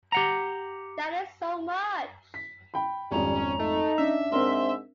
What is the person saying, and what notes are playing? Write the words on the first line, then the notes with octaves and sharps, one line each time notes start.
That is so much!
G4 F#5 A#5
B6
G5 B5
G#1 F2 G3 C#4 A#5
A3 D#4
C#4 D4 E5
G#2 C4 D4 A#4 C6